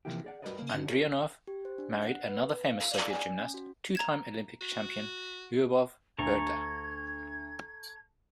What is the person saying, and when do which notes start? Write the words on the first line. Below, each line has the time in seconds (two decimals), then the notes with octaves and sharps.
Andrianov married another famous Soviet gymnast, two-time Olympic champion Lyubov Burda.
0.05 C3 E3 F3 A#3 E4 G4
0.25 G#4 D5 F#5
0.42 G3 F#4 A#4 B4 D5 D#5
0.59 C#3 A#3
0.74 D3 C#4 D#4 F#4
0.87 F4 G#4 A#4 C#5
1.48 G4
1.65 C5
1.78 D4
2.03 F#5
2.28 B4
2.71 F5
2.92 D5
3.10 G#5
3.39 C#4
3.54 F#4
3.95 A#5 G#6 E7
4.61 F#4
6.18 D2 D3 A4 A#5 C#6 G#6